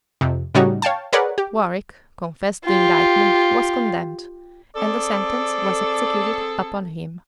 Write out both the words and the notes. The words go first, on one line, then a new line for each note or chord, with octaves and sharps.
Warwick confessed the indictment was condemned, and the sentence was executed upon him.
F2 C3
A2 C#3 G3 C#4 D#4 F#4
C#5 F5 G5 A5
G#4 A#4 B4 C#5 D5 F#5
G4
F4 G4
C4 G#4 A4 D5